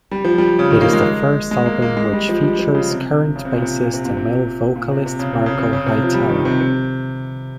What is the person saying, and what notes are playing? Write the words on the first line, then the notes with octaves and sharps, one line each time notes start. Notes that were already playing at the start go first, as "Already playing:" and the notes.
It is the first album which features current bassist and male vocalist Marco Hietala.
G3
F3
G3
C#3
D#3
A#3
G#3
G#3
A#3
A#3
G#3
G3
F3
G3
F3
C#3
C3
C#3
C3
A#2
C3
A#2
C3
A#2
C3
A#2
C3
C3
C#3
C3
C#3
C3
C#3
C3
F3
G3
D#3
C3
C3